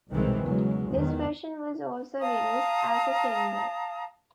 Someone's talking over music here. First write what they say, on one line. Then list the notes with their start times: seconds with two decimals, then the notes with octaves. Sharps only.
This version was also released as a single.
0.11 C2 B2 D#3 E3 G#3 C4
0.40 E2 C#3 F#3 G#3
0.88 E2 D#3
2.21 F5 A5 A#5 D#6